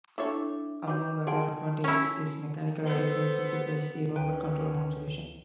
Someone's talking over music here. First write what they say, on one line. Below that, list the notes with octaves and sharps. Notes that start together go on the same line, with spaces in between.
Among other advantages, this mechanical arrangement simplifies the Robot control arm solution.
D4 E4 A4 C#5 E5 D6
F#3 B4 D6 G6
G#4 F#5 G5 A5 C6 D7
C#4 E4 A#4
B3 A4 C5
D2 C#4 B4 G5